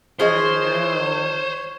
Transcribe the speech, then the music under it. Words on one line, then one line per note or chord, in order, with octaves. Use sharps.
I know.
F3 G#4 C5 C#5 D#5